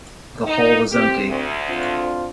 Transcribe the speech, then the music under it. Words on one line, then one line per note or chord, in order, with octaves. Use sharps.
The hall was empty.
D#4
C4 G4
D2
C4 D4 F4